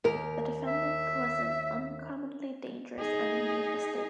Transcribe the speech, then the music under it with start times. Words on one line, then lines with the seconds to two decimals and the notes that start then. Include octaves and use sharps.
The defendant was an uncommonly dangerous enemy of the state.
0.04 D#2 A#4
0.67 E5
2.99 D#4 G#4